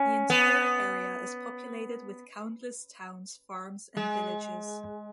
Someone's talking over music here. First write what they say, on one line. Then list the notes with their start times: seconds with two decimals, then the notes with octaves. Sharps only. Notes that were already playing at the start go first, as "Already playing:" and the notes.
The entire area is populated with countless towns, farms, and villages.
Already playing: C#4
0.30 B3
3.97 G#3